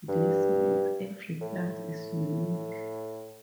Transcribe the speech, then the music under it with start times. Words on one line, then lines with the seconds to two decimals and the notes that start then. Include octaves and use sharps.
This means every plant is unique.
0.09 G2
1.41 A2